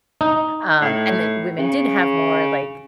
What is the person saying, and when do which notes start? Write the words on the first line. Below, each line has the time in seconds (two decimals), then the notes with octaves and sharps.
Um, and that women did have more, like,
0.21 D#4
0.81 A2
1.58 C#3